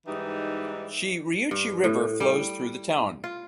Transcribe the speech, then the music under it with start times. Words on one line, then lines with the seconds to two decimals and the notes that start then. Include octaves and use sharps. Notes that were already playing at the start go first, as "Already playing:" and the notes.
Shiriuchi River flows through the town.
0.07 G#2 E3 G3 D#4
1.51 G2
1.84 A2
2.20 G3
3.24 F4